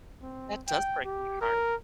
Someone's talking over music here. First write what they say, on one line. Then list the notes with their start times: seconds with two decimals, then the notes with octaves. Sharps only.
That does break my heart.
0.22 C4
0.68 G5
1.05 G4
1.41 A#4